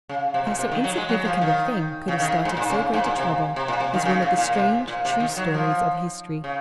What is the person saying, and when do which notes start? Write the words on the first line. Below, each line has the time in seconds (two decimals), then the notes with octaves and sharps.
How so insignificant a thing could have started so great a trouble is one of the strange, true stories of history.
0.09 C#3
0.34 C3
0.47 A#2
0.59 C3
0.72 D#3
0.84 F#3
0.97 G#3
1.09 F#3
1.25 F3
1.41 D#3
2.08 C#3
2.20 D#3
2.45 G#2
2.57 A#2
2.70 C#3
2.94 G#2
3.06 A#2
3.18 C3
3.56 C3
3.68 A#2
3.80 C3
3.94 D#3
4.05 C#3
4.22 A#2
4.38 A#2
4.55 C3
4.87 A#2
5.05 C3
5.20 D#3
5.37 F#3
5.54 F3
6.44 C#3